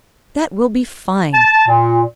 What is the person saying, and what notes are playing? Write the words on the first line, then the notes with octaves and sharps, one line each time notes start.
"That will be fine."
A5
A#2